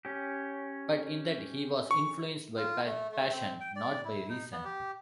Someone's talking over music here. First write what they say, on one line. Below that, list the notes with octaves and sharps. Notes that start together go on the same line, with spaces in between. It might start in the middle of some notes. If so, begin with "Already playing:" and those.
But in that he was influenced by passion, not by reason.
C#4 G4
C#6
F4
A3
A3
C4
G5
D5
E4
D#4
B3
G4